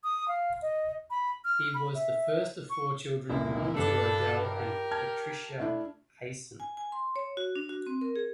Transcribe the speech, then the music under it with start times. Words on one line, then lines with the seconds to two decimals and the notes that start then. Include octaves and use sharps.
He was the first of four children born to Odel and Patricia Hiaasen.
0.04 D#6
0.28 F5
0.62 D#5
1.10 B5
1.44 F6
1.74 B5
1.95 E5
2.70 C#6
3.30 F1 C#2 A#2 A#3 E4
3.75 G2 G3 D4 A4
4.42 G4 A#4
4.91 A5 F6 G#6
5.59 A3 D4 E4
6.60 G#5
6.77 G#5
6.92 C6
7.16 C#5
7.37 F#4
7.56 D4
7.69 F#4
7.86 C4
8.01 A#4
8.16 G#4